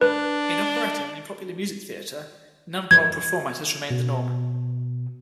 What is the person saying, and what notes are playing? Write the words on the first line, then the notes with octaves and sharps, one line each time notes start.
In operetta and in popular music theatre, number opera format has remained the norm.
D4 B4
G#6
B2